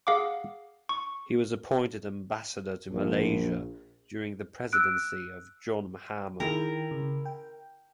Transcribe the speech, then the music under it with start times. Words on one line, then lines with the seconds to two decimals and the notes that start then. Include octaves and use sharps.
He was appointed Ambassador to Malaysia during the presidency of John Mahama.
0.07 G#4 F5 F#5 D6
0.89 C#6
2.92 A#1
4.73 E6 F#6 D7
6.40 D#3 E4 G#4 A#4 G5
6.91 C#3
7.25 G5